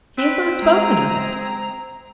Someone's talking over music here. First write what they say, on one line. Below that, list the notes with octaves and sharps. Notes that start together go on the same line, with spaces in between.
"He has not spoken of it."
C4 B4
G#3 G#4 A#5